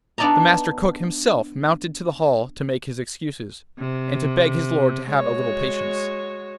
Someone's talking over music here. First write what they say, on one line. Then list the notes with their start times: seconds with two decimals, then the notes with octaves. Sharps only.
The Master Cook himself mounted to the hall to make his excuses, and to beg his lord to have a little patience.
0.18 B3 D4 D#4 D5 E5 A#5
3.79 C3
5.10 G#3 F#4 C#5